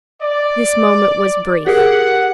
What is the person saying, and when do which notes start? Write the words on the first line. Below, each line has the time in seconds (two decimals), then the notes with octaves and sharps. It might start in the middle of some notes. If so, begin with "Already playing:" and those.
This moment was brief.
0.22 D5
1.67 G4 G#4 A#4 F#5